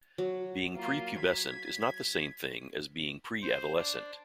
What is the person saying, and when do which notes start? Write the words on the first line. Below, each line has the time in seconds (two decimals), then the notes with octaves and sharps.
Being prepubescent is not the same thing as being preadolescent.
0.18 F#3
0.76 A#3 F4
1.21 G#6 B6
3.42 C5
3.76 D4